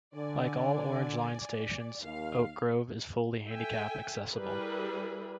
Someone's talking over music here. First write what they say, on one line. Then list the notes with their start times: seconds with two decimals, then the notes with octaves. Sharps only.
Like all Orange Line stations, Oak Grove is fully handicapped accessible.
0.15 D3 D5 G#5
2.02 D#2 F5
3.48 A4 E5 G5 G#5
4.34 G3 E4 G#4 A#4 B4